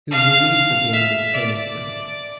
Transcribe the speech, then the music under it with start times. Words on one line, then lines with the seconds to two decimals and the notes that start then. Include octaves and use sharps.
He was released at the end of training camp.
0.11 F5
0.93 E5
1.34 D5